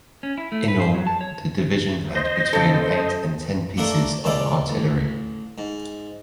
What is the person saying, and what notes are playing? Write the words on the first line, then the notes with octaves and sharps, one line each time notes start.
In all, the division had between eight and ten pieces of artillery.
C#4
E4
A3
B4
C5
F#3
A5
C#5
C5 D#5
C#3 A4
A3 A#3 D4 A4 A#4
A#2 C#3 G#3 A4 D5
A1
G#2